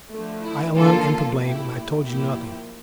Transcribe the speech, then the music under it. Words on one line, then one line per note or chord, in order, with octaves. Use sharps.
I alone am to blame, and I told you nothing.
D3 F3 A3
E4
D3 F3 A#3 F4 A4
A#2 A3 E4 G4
A#2 F3 A#3 E4 G4